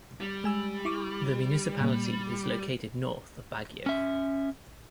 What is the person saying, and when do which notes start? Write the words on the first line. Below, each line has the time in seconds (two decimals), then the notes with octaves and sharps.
The municipality is located north of Baguio.
0.21 G3
0.44 G#3 G#5 E6
0.85 E4 C#6 D6
1.80 A#2 A#3
3.86 C#4 E5